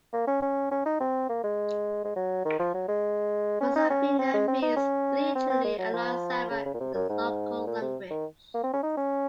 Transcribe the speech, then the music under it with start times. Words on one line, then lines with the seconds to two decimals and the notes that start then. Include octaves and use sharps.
Posavina means literally along Sava in the local language.
0.13 A#3
0.27 C#4
0.42 C#4
0.71 C#4
0.86 D#4
1.00 C4
1.29 A#3
1.44 G#3
2.04 G#3
2.16 F#3
2.45 D#3
2.59 F3
2.74 F#3
2.88 G#3
3.61 C#4
3.76 D#4
3.90 C#4
4.19 C4
4.34 G#3
4.48 C4
4.62 D#4
4.77 C#4
5.35 C4
5.50 C4
5.64 G#3
5.78 F#3
5.93 F3
6.51 C#3
6.66 C#3
6.74 A#2
6.80 C3
6.95 F#2
7.09 G#2
7.67 A#2
7.82 C3
8.10 D#3
8.54 A#3
8.64 C4
8.73 C#4
8.83 D#4
8.97 C#4